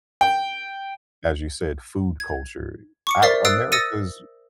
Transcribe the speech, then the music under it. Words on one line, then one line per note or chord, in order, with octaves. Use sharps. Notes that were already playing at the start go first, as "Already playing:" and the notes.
as you said, food culture, A America's
G5
G#6
C#6 D6 C#7
A#4 C5 D5 E5 A6 C7
D#6 E6 F#6 A6 C7 D7
D#6 E6 A6 A#6 C#7 D#7